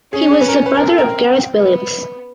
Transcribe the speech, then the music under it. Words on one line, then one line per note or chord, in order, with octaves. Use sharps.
He was the brother of Gareth Williams.
C#4 G#4
G#4
B4
A#4
B4
A#4
C4 A4
A#4
B3